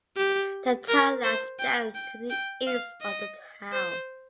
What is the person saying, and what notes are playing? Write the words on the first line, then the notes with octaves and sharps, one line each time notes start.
The townland stands to the east of the town.
G4
A#4
C5
G5
G5
G5
F5
D#5
C5